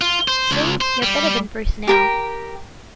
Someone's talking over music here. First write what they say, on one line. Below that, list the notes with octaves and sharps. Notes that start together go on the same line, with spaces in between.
See! You’re better than Bruce now.
F4
C5
C#2
C5
G3
G4 A#4 G5